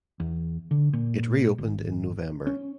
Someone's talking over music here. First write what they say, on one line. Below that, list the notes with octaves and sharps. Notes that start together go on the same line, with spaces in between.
It reopened in November.
E2
D3
A#2
G#1
C#4